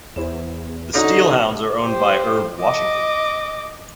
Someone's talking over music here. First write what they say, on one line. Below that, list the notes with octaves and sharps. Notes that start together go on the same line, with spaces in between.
The SteelHounds are owned by Herb Washington.
E2 E4 C5 E7
D3 C#4 D#4 F#4
G4 C5
D#5 D6